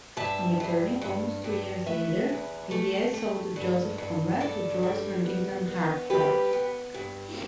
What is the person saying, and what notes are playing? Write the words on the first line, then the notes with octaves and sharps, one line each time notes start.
Returning almost two years later, Villiers sold the "Joseph Conrad" to George Huntington Hartford.
G2 E5 A5
G2
G2
G2
A3 B4 E5
E2
A3
A3
G2
G2
G2 A4 D5
G3
B3
B3
G3 G4 B4
B3
G2